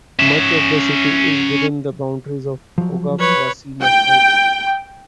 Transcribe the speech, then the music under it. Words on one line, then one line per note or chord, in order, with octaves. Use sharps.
Much of the city is within the boundaries of the Oga Quasi-National Park.
C#4 E5
F3 F#3
B4 C#5
G5